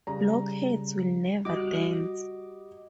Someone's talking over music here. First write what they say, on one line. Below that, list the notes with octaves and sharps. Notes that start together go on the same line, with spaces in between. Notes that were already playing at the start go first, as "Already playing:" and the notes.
Blockheads will never dance!
C#3 G3 A#5
G3 F#4 D#5 D6